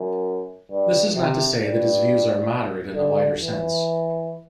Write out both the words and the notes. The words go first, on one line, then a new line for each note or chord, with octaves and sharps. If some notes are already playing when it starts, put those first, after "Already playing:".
This is not to say that his views are moderate in the wider sense.
Already playing: F#2
G2
C3
G2
D3
E3